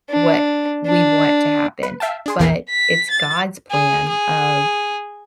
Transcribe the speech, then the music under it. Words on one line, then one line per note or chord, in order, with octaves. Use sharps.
what we want to happen, but it's God's plan of
D4
D4
B4
E5 F5 G5 A5
D4 G#4 C6
A#1 E2 E3 A#4 G5 C7
B6
A6
G#4
G#4